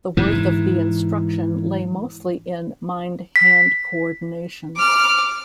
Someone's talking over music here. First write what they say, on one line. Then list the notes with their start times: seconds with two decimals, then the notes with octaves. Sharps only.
The worth of the instruction lay mostly in mind-hand coordination.
0.17 G#2 E3
3.36 B6
4.76 D6 F6